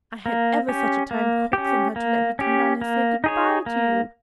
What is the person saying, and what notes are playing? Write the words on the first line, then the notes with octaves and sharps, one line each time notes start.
I had ever such a time coaxing her to let me come down and say good-bye to you.
A#3
C#4 G4
A#3
C#4 G4
A#3
C#4 G4
A#3
D#4 G#4 C#5
A#3